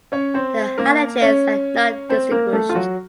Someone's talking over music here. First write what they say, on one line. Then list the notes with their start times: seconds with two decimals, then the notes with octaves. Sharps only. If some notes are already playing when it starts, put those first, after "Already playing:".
The halogens are not distinguished.
0.12 C#4 C#5
0.34 C4 C5
0.78 A#3 A#4
1.21 C#4 C#5
2.10 C4 C5
2.31 A#3 A#4
2.53 A3 A4
2.69 F4
2.75 F#3 F#4